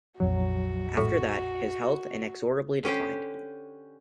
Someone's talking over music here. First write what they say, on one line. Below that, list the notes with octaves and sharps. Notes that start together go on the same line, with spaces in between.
After that, his health inexorably declined.
A#1 F2 F3 F#3 F#4
A2 C#6
D3 C#4 G4 C5